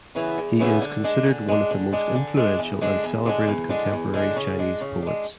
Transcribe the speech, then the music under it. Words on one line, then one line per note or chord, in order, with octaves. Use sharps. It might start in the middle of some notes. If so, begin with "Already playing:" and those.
He is considered one of the most influential and celebrated contemporary Chinese poets.
C#3 E3 B3 E4
E2
C#3 E3 B3 E4
D3
G#3 D4
D3
G#3 D4
D3
G#3 D4
D3
G#3 D4
E2
D3 G#3 D4
E2
D3 G#3 D4
E2
D3 G#3 D4
E2
D3 G#3 D4
C#3
G#3 D4
C#3
G#3 D4